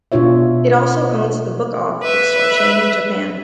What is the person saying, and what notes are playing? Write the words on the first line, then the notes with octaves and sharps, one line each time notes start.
It also owns the Book Off bookstore chain in Japan.
B2 D4 F4 C#5 E5
B4 E5